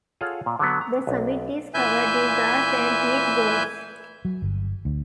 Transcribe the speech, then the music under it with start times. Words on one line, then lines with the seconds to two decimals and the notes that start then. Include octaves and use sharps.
The summit is covered in grass and peat groughs.
0.21 F4 G#4 A4 C#5 F5 F#5
0.46 A#2
0.59 D3 F#3 B3
0.81 A#5
1.07 B1
1.74 A#2 E3 B4 E5 G#5 G6
4.25 F#3
4.42 G1
4.85 D2